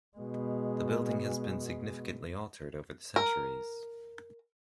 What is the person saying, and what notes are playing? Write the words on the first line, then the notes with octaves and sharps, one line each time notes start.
The building has been significantly altered over the centuries.
B2 G#3
A#4